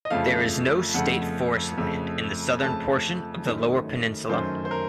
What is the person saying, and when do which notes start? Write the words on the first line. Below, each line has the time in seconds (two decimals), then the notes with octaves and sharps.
There is no state forest land in the southern portion of the Lower Peninsula.
0.05 D#5
0.10 F2 C#3 F3 A3 F5
0.94 F2 C#3 F3 A3 F#5
1.78 F2 C#3 A3
2.62 F2 C#3 A3 A5
3.45 F#2 D#3 F#3 A3
4.29 F#2 D#3 F#3 A3 C5
4.65 C5
4.71 A#4